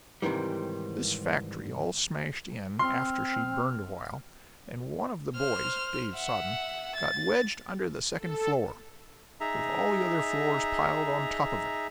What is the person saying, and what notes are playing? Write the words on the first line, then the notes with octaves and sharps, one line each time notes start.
This factory all smashed in after she'd burned a while, and one of the boys--Dave Soden--got wedged under the second floor, with all the other floors piled on top of him.
G#2 C3 D#3 E3 G3
C4 C6 F6
C5 F6
E5 F#5
A6
A4
D#4 G#4 E5 A#5